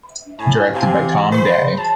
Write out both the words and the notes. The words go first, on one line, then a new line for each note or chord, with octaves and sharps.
Directed by Tom Dey.
A2 G#5
C3 F5 G5 G#5
E3
G#4 C5 B5
F#3 A5